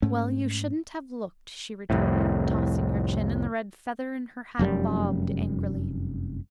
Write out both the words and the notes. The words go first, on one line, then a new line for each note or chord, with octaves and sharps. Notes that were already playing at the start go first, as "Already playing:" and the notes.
"Well, you shouldn't have looked," she retorted, tossing her chin; and the red feather in her hat bobbed angrily.
G#2 A3 C#4
C2 F2 A2
F1 F#2 G3